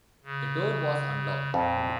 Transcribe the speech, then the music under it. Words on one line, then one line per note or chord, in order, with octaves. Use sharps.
The door was unlocked.
C#3
F2 A#2